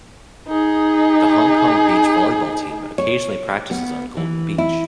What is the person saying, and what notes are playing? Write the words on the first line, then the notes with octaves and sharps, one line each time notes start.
The Hong Kong Beach Volleyball Team occasionally practises on Golden Beach.
D#4 G#4
C#5
B3
E3
E4